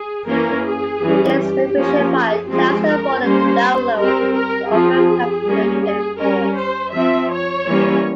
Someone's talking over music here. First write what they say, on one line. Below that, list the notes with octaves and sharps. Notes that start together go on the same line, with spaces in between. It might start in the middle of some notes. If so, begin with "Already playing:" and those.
This configuration file tells the modem the download and upload caps it should enforce.
Already playing: G#4
E3 A#3 C#4 A#4
G#4
E3 G3 C#4
G4
F3 A#3 C#4
G#4
F3 G#3 C4 G4
A#4
G3 A#3 C#4 C5
G3 C4 A#4
A#4
F3 C4 G#4
G3 A#3 C#4
G#4
G3 C#4 A#4
C5
F3 C4 E5
C#5
E3 G3 A#3 C#4